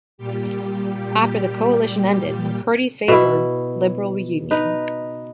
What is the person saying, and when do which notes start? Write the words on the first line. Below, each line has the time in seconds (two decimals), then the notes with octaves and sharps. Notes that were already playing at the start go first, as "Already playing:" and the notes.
After the coalition ended, McCurdy favoured Liberal reunion.
0.18 A#2 G3 G4
3.08 B2 E4
4.51 D#4 B4